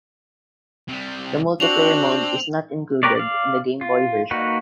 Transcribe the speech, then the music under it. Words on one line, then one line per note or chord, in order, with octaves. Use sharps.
The multiplayer mode is not included in the Game Boy version.
C3 G3
C4 D4 F#4 F7 F#7
G4 A#4 B4 C#5 D5
D5 F5
F4
A#3 D#4 F#4 B4